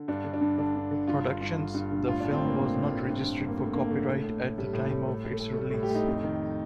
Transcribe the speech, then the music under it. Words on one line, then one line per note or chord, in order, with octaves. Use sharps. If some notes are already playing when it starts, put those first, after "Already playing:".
Productions, the film was not registered for copyright at the time of its release.
Already playing: D3
G2 D4
D3
D4
G2
D3 D4
G2
D3
G2 F4
D3
G2
D3
G2
D3
A2 F4
A2 D4
C4
A2 A#3
A2 C4
A2
A2
G2
D3
G2
A#3
D3 A3
G2 A#3
D3 A3
A2
A2
A2
A2 G3
A2
A2
A2 A3
A2
A3
A2
A3
A2 G3
A2 A3
G4
A2 D#4
F2
D#3